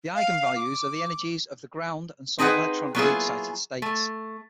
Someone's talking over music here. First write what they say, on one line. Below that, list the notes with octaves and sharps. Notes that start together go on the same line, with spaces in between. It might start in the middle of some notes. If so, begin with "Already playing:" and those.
The eigenvalues are the energies of the ground and some electronically excited states.
F5
D6
C4 D#4 G#4 B4 F#5
F#3 A#3 B3 E4 F4 G#4
A3